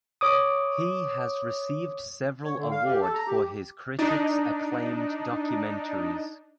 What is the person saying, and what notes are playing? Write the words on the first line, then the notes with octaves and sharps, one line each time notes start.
He has received several award for his critics acclaimed documentaries.
C#5 D6 D#6
C#5
D3
F5
G4
A4
A#5
G4
D4 D#4